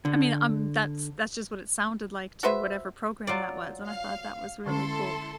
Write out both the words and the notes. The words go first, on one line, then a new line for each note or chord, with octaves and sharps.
I mean, um, that's that's just what it sounded like to whatever program that was, and I thought that was really cool,
D3
F#4 B4 C5 E5
F#3 F4 D5
F5
D3 G#3 C#4 E4 A4 C6